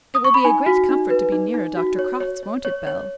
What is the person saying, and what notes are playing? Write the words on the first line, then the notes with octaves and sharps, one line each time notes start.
"It will be a great comfort to be nearer Dr. Crofts; won't it, Bell?"
D#6
C#6
B5
D#4 G#5
F#4
D#4
B4
D#4
D#4
F#4
C#5
C#5
C#5
C#5
C#5